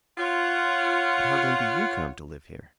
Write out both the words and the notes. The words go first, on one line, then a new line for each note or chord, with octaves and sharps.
"But how then do you come to live here?"
F4 C#5 F#5